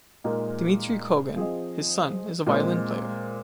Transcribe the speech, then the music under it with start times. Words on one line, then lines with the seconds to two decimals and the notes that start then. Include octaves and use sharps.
Dmitri Kogan, his son, is a violin player.
0.24 A#2 G#3 D#4 A#4
1.36 F3 C4 G#4 D#5
2.47 A#2 G#3 C4